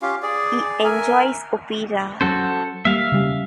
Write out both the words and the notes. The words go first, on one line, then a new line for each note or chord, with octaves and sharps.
He enjoys opera.
C#4 F4 G4 F5
G#4 D5
A#4 E5 G#5
F#3 C#4 F#4 A4 C5
G3 A#3 E5 F5
C#3 G3 C#4